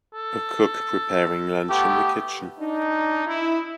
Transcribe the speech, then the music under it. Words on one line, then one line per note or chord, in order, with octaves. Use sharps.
A cook preparing lunch in the kitchen.
A4
A3 B3 G4
D4 D#4
E4